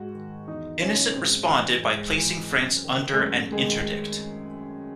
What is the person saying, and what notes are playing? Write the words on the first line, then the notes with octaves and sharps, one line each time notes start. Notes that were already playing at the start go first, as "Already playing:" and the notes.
Innocent responded by placing France under an interdict.
Already playing: G#2 F#4
D#3
E2 D#4
C#3 E3 C#4
G#2 C4
E3
G#2
E3
F#2
D#3
G#3
F#2 A3
D#3 G#3